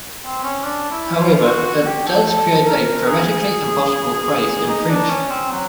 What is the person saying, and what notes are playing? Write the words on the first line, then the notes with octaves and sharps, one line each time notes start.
However, it does create a grammatically impossible phrase in French.
C4
C#4
D4
E4
F4
F#4
F#4
G4
A4
A4
A#4
G#4
D#4
D4
C#4
C4
F#3